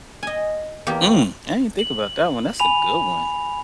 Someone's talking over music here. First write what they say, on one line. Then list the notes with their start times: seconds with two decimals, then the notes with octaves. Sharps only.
Mm, I didn't think about that one. That's a good one.
0.23 D#5 G#5
0.87 E2 A#3 G4
1.79 F#7
2.60 G#5 B5 F7